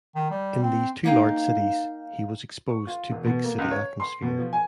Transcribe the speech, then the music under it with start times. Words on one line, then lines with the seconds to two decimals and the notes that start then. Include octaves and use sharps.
In these two large cities, he was exposed to big city atmosphere.
0.15 D#3
0.31 G3
0.63 C4
1.04 A#3 D#4 F5 G5
2.69 C#6
2.87 F4
3.11 E1
3.25 B2
3.44 A#3
3.58 C#2
3.71 C#5
4.00 C6
4.22 B2
4.39 F3
4.53 G#5